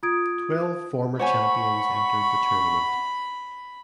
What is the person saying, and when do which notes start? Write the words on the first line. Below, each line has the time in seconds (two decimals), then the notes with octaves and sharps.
Twelve former champions entered the tournament.
0.03 F4 D#6 G#6 D7
1.19 C5 C#5 F#5 G#5 B5 C#6